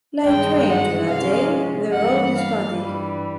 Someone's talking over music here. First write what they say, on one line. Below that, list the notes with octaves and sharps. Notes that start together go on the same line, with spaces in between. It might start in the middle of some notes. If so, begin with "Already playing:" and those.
Light rain toady, the road is muddy.
G2 D#3 G#3 G5
F#5
C3 F3 G#3 C#4 F5
G2 E3 G3 A#3 F#5
F5
G2 E3 G3